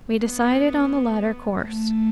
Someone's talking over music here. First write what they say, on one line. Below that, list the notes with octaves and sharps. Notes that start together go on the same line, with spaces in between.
We decided on the latter course.
B3
A3